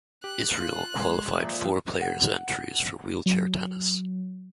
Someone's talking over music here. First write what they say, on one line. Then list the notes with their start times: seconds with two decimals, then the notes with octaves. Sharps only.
Israel qualified four players entries for wheelchair tennis.
0.24 G4 F#6
0.60 F4
0.97 G#3 C6 G#6
1.38 A#2 F3 E5
2.02 F#5
3.26 F#3